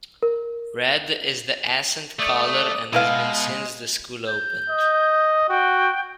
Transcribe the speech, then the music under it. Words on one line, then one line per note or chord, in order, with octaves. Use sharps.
Red is the accent color and has been since the school opened.
A#4
A3 D5 D#6
B2 G#3 E4 B4 F5
G6
D#5
F#4 G5